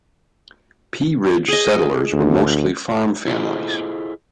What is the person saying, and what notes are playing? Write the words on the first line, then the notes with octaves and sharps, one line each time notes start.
Pea Ridge settlers were mostly farm families.
G#4 D#5
D2
E4 F4 G#4 A4 C5 D#5